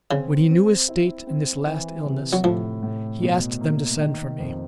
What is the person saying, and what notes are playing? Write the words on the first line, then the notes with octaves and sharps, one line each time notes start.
When he knew his state in this last illness, he asked them to send for me.
C#3 C4
C4
E4
C4
E3
C3
F#3
A2 F3
A2
B2
A#3
D#3
F2